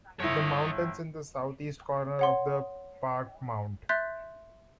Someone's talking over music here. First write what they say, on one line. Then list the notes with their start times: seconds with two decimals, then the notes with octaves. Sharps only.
The mountains in the southeast corner of the park-Mt.
0.20 G1 E4 C#5 D#5
2.19 C#5 F#5 C6
3.89 E5 C6 F#6 G6 A6 B6